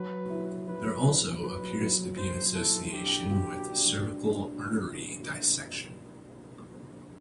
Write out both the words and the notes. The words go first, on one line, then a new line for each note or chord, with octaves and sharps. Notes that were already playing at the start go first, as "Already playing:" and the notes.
There also appears to be an association with cervical artery dissection.
Already playing: F#3 B4
E4
F#3 B4
E4
F#3 B4
F#3
F#3 C5
E4 A4
D4 G4
F#4
D4